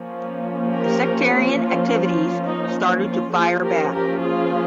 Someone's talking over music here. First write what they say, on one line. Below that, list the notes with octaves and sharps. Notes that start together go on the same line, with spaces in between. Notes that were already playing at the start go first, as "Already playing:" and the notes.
The sectarian activities started to fire back.
Already playing: F3 A#3 C#4
G4 A#4
F4
F4
D#4
F4
F3 A#3 C#4 F4 G#4
G4 A#4
G4 A#4
F4 G#4